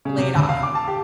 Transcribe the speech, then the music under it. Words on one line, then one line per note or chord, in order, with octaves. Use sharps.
laid off.
C#3
C3
D2
F5
D6
A5
G4